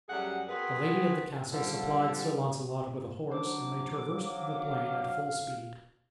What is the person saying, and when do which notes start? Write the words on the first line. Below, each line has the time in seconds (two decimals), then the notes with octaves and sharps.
The lady of the castle supplied Sir Launcelot with a horse and they traversed the plain at full speed.
0.09 F#2 F#3 G3 A3 G#4 F#5
0.48 B3 C4 F#4 G#4 A#4 B4
1.52 D3 F3 G3
3.31 F#3 D4 C5 D6
4.11 F#3 F5